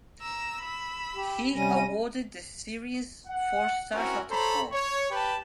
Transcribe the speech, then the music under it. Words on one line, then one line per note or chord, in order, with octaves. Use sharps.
He awarded the series four stars out of four.
A#5 E6
B5 E6
G4
C3 G3 C#4 A#6 D#7
F#5
C4 C#4 E4 F#4 A#4
A4 C5 C#5 A#5 B5
C#5
G4 B4 G5 A5 B5